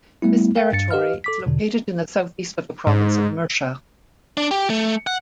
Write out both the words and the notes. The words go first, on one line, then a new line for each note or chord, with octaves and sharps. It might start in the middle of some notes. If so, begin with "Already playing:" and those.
This territory is located in the southeast of the province of Murcia.
G3 A3 B3 E4
A#4 F5 G5
G2 A6 C#7
G4 B4 D#5 F5 F6
A4 D6 B6
E2 B2 D3
G#2
D4
G4
A3
F#5